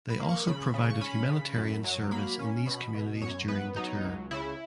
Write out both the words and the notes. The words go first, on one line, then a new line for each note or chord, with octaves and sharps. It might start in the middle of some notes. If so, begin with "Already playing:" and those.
They also provided humanitarian service in these communities during the tour.
B5
A#3
C#6
C#3 B5
C#3
C#6
C#4 B5
C#3
F#2
F#3
A#3 B5
C#4
B2 B5
B2
F#2 C#5
B3 B4
F#3 D#4
C#2
C#3 E4